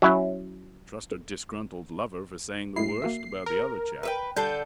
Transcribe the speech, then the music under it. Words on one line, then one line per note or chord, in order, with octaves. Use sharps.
Trust a disgruntled lover for saying the worst about the other chap.
F#3 C#4 E4
A2 G#3 E4 C7
A#3 F#4 E5
A#4
B4 E5 G5
D3 G3 A4 G6 C7 D#7